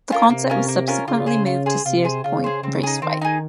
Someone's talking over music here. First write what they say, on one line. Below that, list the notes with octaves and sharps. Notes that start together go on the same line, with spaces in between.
The concert was subsequently moved to Sears Point Raceway.
C#4 F4 A#4
C3 A#3
C#4 F4 A#4
A#3
C#4 F4 A#4
C#3 F4
G#4 C5
F4
G#4 C5
C3 F4
G#4 C5
C#3 F4
G#4 C5
C#3 C4
D#4 G#4
D#3 C4
D#4 G#4